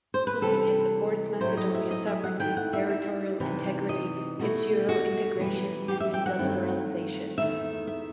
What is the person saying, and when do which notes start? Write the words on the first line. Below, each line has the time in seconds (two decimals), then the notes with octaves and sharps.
Slovenia supports Macedonia's sovereignty, territorial integrity, its Euro-integration and visa liberalisation.
0.14 C5
0.27 B4
0.41 C3 E3 G3 A4
1.41 A2 F#3 A3 E4 C5
1.57 D#5
1.75 E5
1.91 D#5
2.07 E5
2.24 F#5
2.40 D#3 A3 E4 G5
2.57 F#5
2.73 E5
2.90 E5
3.40 C3 E3 B3 D#4
3.89 D#5
4.39 B2 A3 E4 F#4
4.89 F#4
5.38 F#2 E3 G3 B3
5.88 G4
6.00 E5
6.14 G5
6.26 F#5
6.38 G2 D#3 A3 C4 E4
7.38 E2 D#3 A3 D#4 E5
7.87 E5